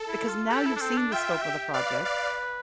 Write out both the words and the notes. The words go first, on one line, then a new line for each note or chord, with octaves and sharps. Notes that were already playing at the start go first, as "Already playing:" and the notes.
Because now you've seen the scope of the project,
Already playing: A4
E4
F4
G4 A4
E4
D4
C4
D4
F4 E5 G5
G4
B4 D5 F5
D5 F5